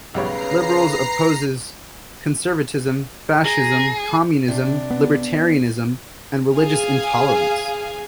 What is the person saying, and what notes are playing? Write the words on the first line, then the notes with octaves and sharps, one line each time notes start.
Liberales opposes conservativism, fascism, communism, libertarianism, and religious intolerance.
B1 C#3 G3 B4 C#5 A#5 C7
G#4 A#5
C3 D4
B3
G#4 F5 G#5